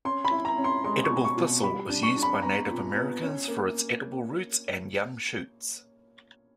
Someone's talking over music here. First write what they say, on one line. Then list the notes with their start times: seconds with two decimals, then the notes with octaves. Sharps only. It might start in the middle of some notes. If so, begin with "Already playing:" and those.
Edible thistle is used by Native Americans for its edible roots and young shoots.
0.05 C#4 C6
0.25 B5
0.31 E4
0.45 A#5
0.58 C#4
0.64 C6
0.84 G#3 C6
1.04 C#6
1.10 B2
1.24 C#6
1.37 B2
1.63 G3 B5
1.89 D4
2.03 C#6
2.17 D4
2.22 B5
2.42 B3 A#5
2.70 A#2
2.96 B3
3.22 C#4
3.48 A#3